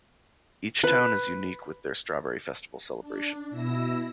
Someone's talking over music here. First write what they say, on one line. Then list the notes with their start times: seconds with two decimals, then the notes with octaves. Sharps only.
Each Town is unique with their strawberry festival celebration.
0.84 B4
3.00 D4
3.50 B2 E4 E6 A#6